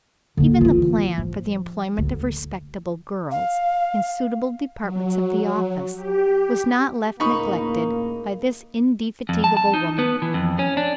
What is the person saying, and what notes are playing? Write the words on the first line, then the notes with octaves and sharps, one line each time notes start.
Even the plan for the employment of respectable girls, in suitable departments of the office, was not left neglected by this indefatigable woman.
D3 A#3
E3 F4
F3
D2
F5
F#3
G4
C#2 A2 A#3 D#4 B5 C#6
F2
A5
A5
D#4
B3
E3
F2
C#4
D4